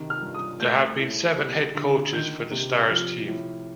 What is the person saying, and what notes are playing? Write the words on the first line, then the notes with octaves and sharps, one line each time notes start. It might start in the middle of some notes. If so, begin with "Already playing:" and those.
There have been seven head coaches for the Stars team.
Already playing: C3 D#3
F6
G2
D#6
A3 G6
A2
G3
D3
D#3 G6
C3
F3 F6
A2